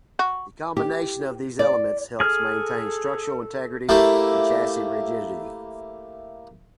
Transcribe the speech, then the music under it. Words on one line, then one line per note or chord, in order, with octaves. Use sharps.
The combination of these elements helps maintain structural integrity and chassis rigidity.
F#4
G4
D5
G#4 A4 F6
A3 A#3 E4 G4